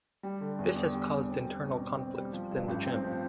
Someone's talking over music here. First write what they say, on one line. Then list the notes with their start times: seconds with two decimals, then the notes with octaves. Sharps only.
This has caused internal conflicts within the gym.
0.23 G3
0.41 D3
0.59 E2
0.76 E2
0.93 G3
1.11 D3
1.29 C4
1.45 G3
1.64 B2
1.80 B2
1.99 C4
2.16 G3
2.33 F3
2.51 G2
2.68 A1
2.86 C4
3.03 F3